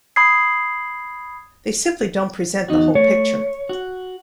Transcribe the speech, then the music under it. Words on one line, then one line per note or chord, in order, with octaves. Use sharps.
They simply don't present the whole picture.
B5 D#6 G#6 C7
E2 D#4 F#4
A3 C#5
F#4